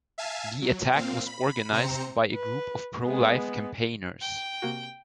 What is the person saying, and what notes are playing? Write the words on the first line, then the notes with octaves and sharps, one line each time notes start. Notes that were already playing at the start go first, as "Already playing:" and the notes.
The attack was organised by a group of pro-life campaigners.
E5 F5 G#5 A5
F#3
A#2 C4 F5
B5
C3 C4 C5 A#5 C#7
B4
G#3 B3
G5
C3 A#3 F#4